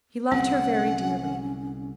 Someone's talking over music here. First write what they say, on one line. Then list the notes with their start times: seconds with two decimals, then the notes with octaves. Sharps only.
He loved her very dearly.
0.31 C2 D3 C4 C#4 F#5